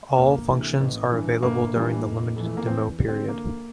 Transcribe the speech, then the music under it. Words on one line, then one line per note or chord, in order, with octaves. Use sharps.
All functions are available during the limited demo period.
E1 A#3
D2 C3 E3
A1
G2 E3
G1 A#3
G2 E3 G3
F1
F2 E3
A3
A#3
E2 C4
D3 G3
C4
D2 A#3